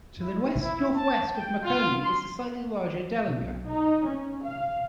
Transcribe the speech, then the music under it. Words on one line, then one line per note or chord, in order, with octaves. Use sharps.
To the west-northwest of Marconi is the slightly larger Dellinger.
E4
E4
A5
G5
F4
C6
B1
D#4
C#4
F5